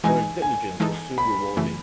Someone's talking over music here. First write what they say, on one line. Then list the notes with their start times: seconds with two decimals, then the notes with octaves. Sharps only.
Her diligence was soon rewarded.
0.04 E3 G#3 D#4 G#5
0.42 G#5
0.80 E3 G#3 D#4 A4
1.18 B5
1.56 F#2 C#3 E3 A3